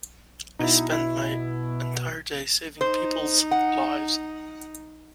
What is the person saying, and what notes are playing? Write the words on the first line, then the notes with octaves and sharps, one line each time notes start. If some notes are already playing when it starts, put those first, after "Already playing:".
I spend my entire day saving people's lives.
B2 D#4 E4
E4
D#4 C5
F#5